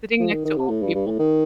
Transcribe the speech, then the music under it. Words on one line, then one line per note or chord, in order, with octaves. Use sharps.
Sitting next to old people.
F3
D#3
D#3
C3
A2
G2
G2
A2
D#3